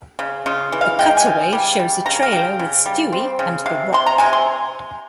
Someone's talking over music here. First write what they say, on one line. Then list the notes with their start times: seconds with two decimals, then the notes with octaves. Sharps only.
The cutaway shows a trailer with Stewie and the Rock.
0.19 C#3
0.46 C#3 F4
0.72 E3
0.81 F5
0.99 G#3 G5
1.17 G#5
1.26 C#3
1.53 G3
1.79 G3
2.06 C#3 A#5
2.23 F5
2.32 C#3 G5
2.59 C#3
2.86 G3
3.13 C4
3.39 C#3
3.66 C3 F5
3.93 C3 C6
4.06 A#5
4.18 C3 G#5
4.33 C6